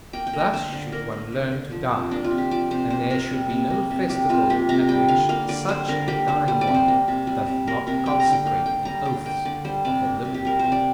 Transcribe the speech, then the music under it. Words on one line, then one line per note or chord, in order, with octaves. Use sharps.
Thus should one learn to die; and there should be no festival at which such a dying one doth not consecrate the oaths of the living!
A#3 G5
G5
A#3
A#4
D3 C5
D3
A#3 A#4
A#3
D3
D3
F3
C3
A#3 D4
F4
C3
G4
F3 D5
C3 C5
A#3 C5
C3 A#4
G3
C3
A#3
C3
G3 G4
C3 F4
A#3 G4
C3 A#5
G3 G5
D3 F5
A#3 F5
D3 D5
G3 C5
D3 A#4
A#3 G4
D3 C5
G3 C5
D5
C3
C5
A#3
C3
G3
C3
A#3 A#4
C3 A#4
G3 G5
A#5
D3
G5
A#3 F5
D3 G5
G3 A#5
D3 G5
A#3 G5
D3 D5
G3 C5
C3 D5
A#3
C3
G4
G3 A#4
C3 C5
D5